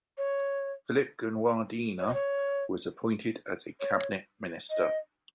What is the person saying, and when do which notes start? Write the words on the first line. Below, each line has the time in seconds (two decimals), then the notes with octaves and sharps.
Philip Gunawardena was appointed as a cabinet minister.
0.18 C#5
1.99 C#5
2.07 D#5
2.14 C#5
3.80 C#5
4.70 D#5